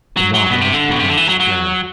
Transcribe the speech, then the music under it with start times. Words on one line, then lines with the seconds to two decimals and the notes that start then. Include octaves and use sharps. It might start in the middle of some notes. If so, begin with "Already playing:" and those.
The Nautilus did not stir.
0.17 F#3
0.34 F#3
0.50 B2
0.61 C3
0.72 D3
0.91 B2
1.00 C3
1.08 D3
1.17 E3
1.29 F#3
1.40 F#3